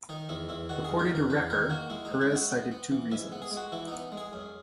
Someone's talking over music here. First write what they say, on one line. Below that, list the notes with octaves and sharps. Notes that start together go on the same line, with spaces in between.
According to Reker, Perez cited two reasons.
D#3 D#4
E2 E4
E2 E4
D#3 F#4
G#4
E2
A#4
E2
A#4
E2 B4
D#3 A#4
A#3 F#4
G#3 E4
D#4
G#2
E4
G#3
F#4
B3
B3
E3
G#2 E4
B3
G#4
G#3
F#4
E3 E4
B3 D#4
G#3
G#4
F#2